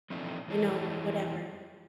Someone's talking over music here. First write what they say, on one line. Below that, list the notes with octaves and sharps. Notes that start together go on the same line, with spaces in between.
you know, whatever.
E3 F3 A3 C4 D4 D#4
F2 E3 E4 C#5 D#5 A5